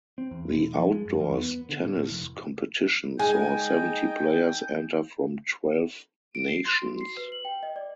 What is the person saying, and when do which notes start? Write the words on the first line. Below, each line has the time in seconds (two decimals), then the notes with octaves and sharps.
The outdoors tennis competition saw seventy players enter from twelve nations.
0.18 C4
0.31 E2
0.48 E1
0.76 F3
0.92 G#3
1.05 F#2
1.21 E2
1.37 B3
1.69 D3
1.83 A2
2.10 F1
3.19 G#3 D#4 G5 G#5
6.35 D7
6.48 C7
6.65 C6
6.82 F#4
7.01 C7
7.17 B4
7.32 F#7
7.45 G5
7.63 D#5
7.76 D5